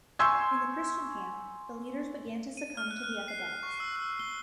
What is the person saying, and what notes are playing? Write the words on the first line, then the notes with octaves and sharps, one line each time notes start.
In the Christian camp, the leaders began to succumb to the epidemics.
G#5 C6 C#6 E6 G6 G#6
D#7
F6
F#6
F#6
C7
C#6
E6
E6
G7